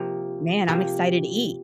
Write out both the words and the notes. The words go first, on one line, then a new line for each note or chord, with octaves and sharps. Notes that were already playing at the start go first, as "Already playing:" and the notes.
man, I'm excited to eat.
Already playing: C3 F3 A#3
C3 F3 A#3